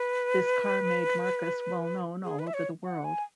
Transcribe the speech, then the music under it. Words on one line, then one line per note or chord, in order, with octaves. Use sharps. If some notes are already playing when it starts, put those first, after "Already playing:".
This car made Marcus well-known all over the world.
Already playing: B4
G#4
B4
E5
C#5
F#5
G#5